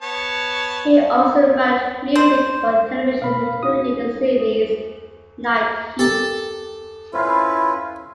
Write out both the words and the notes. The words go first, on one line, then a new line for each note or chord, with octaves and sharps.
He also wrote music for television including the series "Night Heat".
B3 C#5 A5
C5
B2 F5 B5
D#4 F#4 G#4 D#6
G4 A4 A#4 A5 D6
C#4 E4 F4 B4 C5 F5